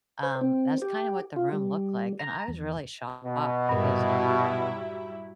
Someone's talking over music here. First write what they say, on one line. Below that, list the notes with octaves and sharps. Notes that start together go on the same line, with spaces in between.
um, that's kinda what the room looked like, and I was really shocked because
C5
C4
G4
F4
G3
A#5
E2
B2
G2 A#2 F#3 G3 E4